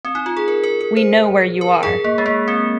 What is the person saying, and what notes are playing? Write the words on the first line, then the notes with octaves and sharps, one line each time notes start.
We know where you are.
C4
D#4
F4
G#4
A#4
A#4
A#4
C5
A#4
G#4
A#3
G#3
A#3
C4